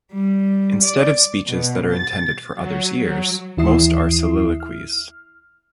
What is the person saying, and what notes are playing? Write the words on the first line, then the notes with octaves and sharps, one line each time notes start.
Instead of speeches that are intended for others' ears, most are soliloquies.
G3
D5
B2
A6
F#3
F#3
D#2 E3 E4 E5 D#6 C7
F6